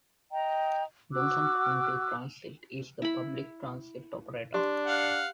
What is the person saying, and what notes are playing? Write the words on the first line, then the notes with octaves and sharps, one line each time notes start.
Johnson County Transit is the public transit operator.
D#5 G5 A#5
F#4 D6 E6 F#6
E4 B5
D4 G4 C6
F5 F#5